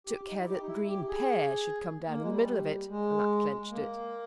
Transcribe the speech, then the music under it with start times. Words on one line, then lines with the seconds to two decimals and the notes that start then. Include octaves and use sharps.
I took care that Green pere should come down in the middle of it, and that clenched it.
0.07 G4
0.27 D#4
0.40 E4
0.47 G4
0.61 D#4
0.67 E4
0.87 G4
1.08 G#4
2.08 A#3
2.21 G#3
2.29 G3
2.89 G#3
3.70 A#3